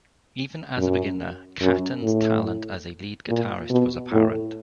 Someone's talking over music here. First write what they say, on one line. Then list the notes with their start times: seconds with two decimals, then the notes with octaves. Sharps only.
Even as a beginner, Caton's talent as a lead guitarist was apparent.
0.77 F#2
1.61 F#2
2.03 A2
3.28 A#2
3.70 B2
4.12 A2